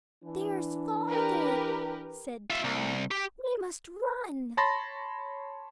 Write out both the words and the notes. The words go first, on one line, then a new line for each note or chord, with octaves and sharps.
"There's father," said Tommy; "we must run."
E3 D4
G4 A#4 B4
F4 E5
C2
G4
C#5 A5 B5 C6 A6 A#6